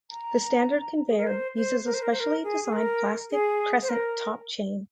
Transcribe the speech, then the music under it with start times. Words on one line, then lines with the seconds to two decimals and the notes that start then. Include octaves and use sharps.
The standard conveyor uses a specially designed plastic crescent top chain.
0.11 A#5
1.08 G#4
1.18 A#4
1.27 C5
1.56 C5
1.86 A#4
1.94 C5
2.02 A#4
2.11 C5
2.20 A#4
2.44 G#4
2.64 G#4
2.73 A#4
3.31 G#4
3.82 C5
3.89 A#4